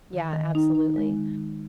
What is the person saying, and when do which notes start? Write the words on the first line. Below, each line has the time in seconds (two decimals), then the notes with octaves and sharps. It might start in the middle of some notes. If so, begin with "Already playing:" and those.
Yeah, absolutely.
0.13 D#3
0.33 D#3
0.55 D#4
0.75 D#4
0.96 G#3
1.17 D#3
1.38 D#3